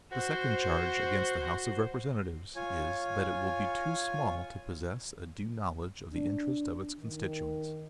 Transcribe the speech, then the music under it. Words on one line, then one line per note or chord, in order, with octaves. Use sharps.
THE SECOND charge against the House of Representatives is, that it will be too small to possess a due knowledge of the interests of its constituents.
F#4 C5
F4 C#5 G#5
D4
D#3